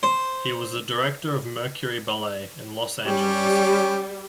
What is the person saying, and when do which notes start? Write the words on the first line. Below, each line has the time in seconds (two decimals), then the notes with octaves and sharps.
He was the director of Mercury Ballet, in Los Angeles.
0.03 C5
3.07 G3 C#4 G4 C#5